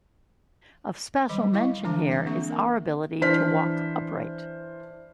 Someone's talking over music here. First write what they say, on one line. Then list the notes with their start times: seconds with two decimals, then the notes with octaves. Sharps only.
Of special mention here is our ability to walk upright.
1.29 D#3 F#3 G3 D#5 B5 D6
1.54 E4 D#5 F5 C#6
1.84 D3 E3 G#3 D4 A5 D6
2.12 E5
2.26 A#3 C4 D4 G#4 C#6
2.50 A#4
3.21 E3 D4 C5 F6 B6